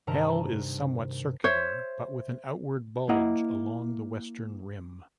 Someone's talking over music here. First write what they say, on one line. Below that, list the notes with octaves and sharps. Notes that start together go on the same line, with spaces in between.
Hell is somewhat circular but with an outward bulge along the western rim.
G2 C3 D#3 A#4 A5 A#5
C5 C#5 E5
A#3 E4 D#5 F#5